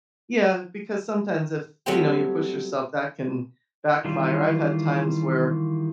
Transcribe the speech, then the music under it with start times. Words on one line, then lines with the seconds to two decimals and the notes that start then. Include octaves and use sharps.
yeah, because sometimes if, you know, you push yourself, that can backfire, I've had times where,
1.86 F#3 G3 A3 B3 C4 G4
4.05 D#3 E3 G3 F4